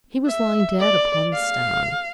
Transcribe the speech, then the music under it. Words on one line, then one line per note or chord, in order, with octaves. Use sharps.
He was lying dead upon the stone.
E5
D5
F5